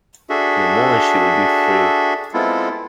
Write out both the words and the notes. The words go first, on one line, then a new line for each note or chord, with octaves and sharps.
In a moment she would be free.
D4 F#4 G#4 A4 E5
G#3 B3 C4 E4 F4 A4